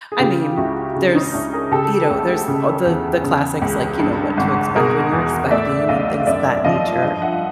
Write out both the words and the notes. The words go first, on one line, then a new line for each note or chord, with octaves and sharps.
I mean, there's you know, there's a the the classics like, you know, What to Expect When You're Expecting and things of that nature.
G#4
C#3 F4 G4
C#2 E4 F#4
C#3
D4
C#4 D#4
C#2 D4 E4
G#4 A#4
C#3 G4 A4
D2
C#3
E2
C#3
C#2
G2
G#1
B2 G#4 A#4
E2
A2 D5 E5
B1 D#5 F5
F#2 D5 E5
F3 D#5 F5
G2 D#5 F5
E5 F#5